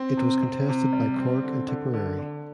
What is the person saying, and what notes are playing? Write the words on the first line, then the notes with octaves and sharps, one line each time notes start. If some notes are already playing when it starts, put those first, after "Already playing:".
It was contested by Cork and Tipperary.
Already playing: C4
C3
C4
C3
G3
C4
D3
D3
D3
D3